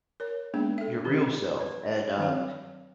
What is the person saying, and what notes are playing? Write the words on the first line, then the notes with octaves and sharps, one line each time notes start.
your real self and, um,
A#4 C#5
G#3 A#3 B3 D4 D#4 G#4
A4 E5
D#3 C4 G4
B4
D#3 F#3 C4 C#5 F5